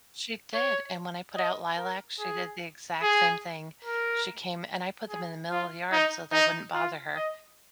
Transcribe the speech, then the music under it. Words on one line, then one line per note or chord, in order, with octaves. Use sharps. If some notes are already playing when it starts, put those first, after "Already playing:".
She did, and when I put out lilac, she did the exact same thing. She came and I put them in the middle of the yard so they wouldn't bother her,
C#5
D#5
A#4
G#4
G#4
A#4
G#4
F4
D#4
D#4
F4
D#5